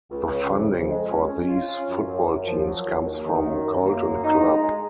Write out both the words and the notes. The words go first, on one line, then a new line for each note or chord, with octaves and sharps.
The funding for these football teams comes from Colton Club.
C#2
C#3
F2
F2
G#3
C#4
C#4
F4
C#4
F#2
F#2
F#2
F3
F#3
D#2
D#2
D#3
F#2
F#2
A#3
F#2
D#4
G#3
G#3